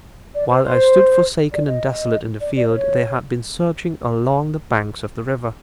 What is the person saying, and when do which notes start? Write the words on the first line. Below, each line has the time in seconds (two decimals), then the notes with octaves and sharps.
While I stood forsaken and desolate in the field, they had been searching along the banks of the river.
0.34 D5
0.49 C5
0.63 C5
1.52 D5
1.66 D#5
2.40 D5
2.55 D5
2.70 C#5